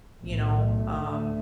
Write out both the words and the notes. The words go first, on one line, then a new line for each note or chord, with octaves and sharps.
you know, um,
B1 A2 A3
D2